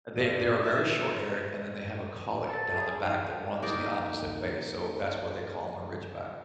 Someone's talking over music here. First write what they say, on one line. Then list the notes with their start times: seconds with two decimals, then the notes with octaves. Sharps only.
they they are very short-haired, and then they have a cowlick down the back that runs the opposite way, so, that's why they call 'em a Ridgeback,
0.16 G2
0.65 E5
2.49 A4 A5
2.76 G#4
3.03 D#4 F5
3.62 A#3 D#4 D5